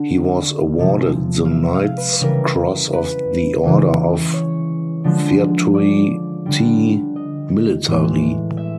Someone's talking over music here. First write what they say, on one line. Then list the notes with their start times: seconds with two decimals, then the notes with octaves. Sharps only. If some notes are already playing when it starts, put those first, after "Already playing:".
He was awarded the Knight's Cross of the Order of Virtuti Militari.
Already playing: D3
0.78 C3 F3 G#3
1.45 F5
1.51 E5
1.74 F5
1.97 B4
2.15 B4
2.21 C#3 E3 G3 A#4
2.93 B4
3.63 C#3 E3 G#3
4.34 C#5
5.04 D3 F3 G#3
5.75 D5
6.46 D3 G3
7.16 D#5
7.87 A2 E3 G#3
8.57 E5